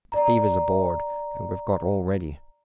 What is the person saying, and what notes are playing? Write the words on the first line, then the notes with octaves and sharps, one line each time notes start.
The fever's aboard, and we've got all ready.
D5 A#5